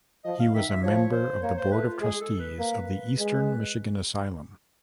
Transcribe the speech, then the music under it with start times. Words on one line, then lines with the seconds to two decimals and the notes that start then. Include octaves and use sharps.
He was a member of the board of trustees of the Eastern Michigan Asylum.
0.25 F3 D#5
0.40 F5
0.54 D#3 E5
0.69 E5
0.83 F3 C#5
1.13 C5
1.42 A#3 C#5
1.58 C5
1.72 A3 B4
1.87 F4
2.01 G#3 G#4
2.21 A4
2.40 B4
2.59 A#3
3.19 G#3